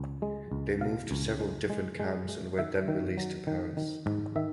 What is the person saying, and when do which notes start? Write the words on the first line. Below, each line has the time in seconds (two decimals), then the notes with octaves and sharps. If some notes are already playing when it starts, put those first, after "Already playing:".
They moved to several different camps and were then released to Paris.
Already playing: C#2
0.22 G#3
0.51 C#2
0.81 B2 F5
1.11 C#2
1.40 G#3
1.70 G#3
2.00 G#3
2.29 G#3
2.58 D#3 E5
2.88 D#3
3.17 F#3
3.47 D#3
3.77 D#3
4.06 G#2
4.36 D#3 E5